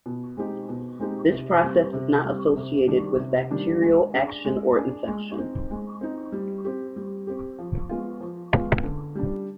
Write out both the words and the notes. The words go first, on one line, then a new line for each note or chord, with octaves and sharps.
This process is not associated with bacterial action or infection.
B2
G#3 C4 D#4 G4
B2
G#3 C4 D#4 G4
C3
G3 C4
C3
G3 C4
C3
D#3 G3 D4
C3
D#3 G3 D4
G#3
D4 G#4
G#3
D4 G#4
G#3
C4 D#4
G#3
C4 D#4
G3
C4 G4
G3
C4 G4
F3
G#3 B3 F4
F3
G#3 B3 F4
D3
G3 D4